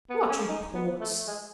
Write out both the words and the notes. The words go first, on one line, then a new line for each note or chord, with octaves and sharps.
"What reports?"
B3
C#4
D#4
B3
A3
G#3